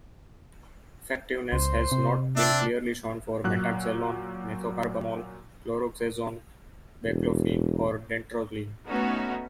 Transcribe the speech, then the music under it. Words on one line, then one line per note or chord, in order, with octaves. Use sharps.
Effectiveness has not been clearly shown for metaxalone, methocarbamol, chlorzoxazone, baclofen, or dantrolene.
C#2 C5
C3
C4 D4 E5
A#2 F#3 F#6
E1
A3 B3 C#4 D#4 F#4